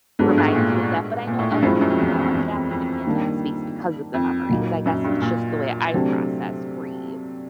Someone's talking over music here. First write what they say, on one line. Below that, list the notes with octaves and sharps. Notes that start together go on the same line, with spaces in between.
reminds you of that, but I know other people are happy to be in that space because of the memories, I guess it's just the way I process grief.
G#2 G#3 B3 D4 F#4 A4
G2
G#2
A2
A#2
A#2
A2
G2
F#2 F3 G#3 C4 E4
G2
F#2
F2
E2
F2
F2
E2
F2
F2
D#3 G3 A#3 D4
F2
A#2 F#3 A#3 D#4
F#2
G2
A#2
C3 F#3 A3 D4 G4 C5